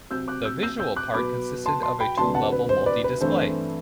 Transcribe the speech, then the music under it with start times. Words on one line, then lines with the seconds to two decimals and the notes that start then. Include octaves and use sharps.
The visual part consisted of a two level multidisplay.
0.11 C3 F#3 C4 E6 G6
0.28 D6 F#6
0.45 E6 G6
0.63 E6 G6
0.80 E6 G6
0.96 D6 F#6
1.14 B2 F#3 B3 B5 D6
1.66 A5 C6
1.83 A5 C6
2.00 G5 B5
2.17 D2 C3 F#3 B3 D4 A5 C6
2.35 F#5 A5
2.52 B4
2.69 C5
2.86 B4 D5
3.04 B4
3.21 G2 E3 A3 C4 C5